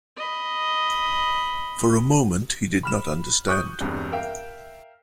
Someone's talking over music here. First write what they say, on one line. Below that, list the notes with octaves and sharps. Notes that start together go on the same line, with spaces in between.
For a moment he did not understand.
D#5 B5
B5 F6 E7
C#6 D#6 F#6 G6
E1 C2 G2
A#4 E5 F5 G5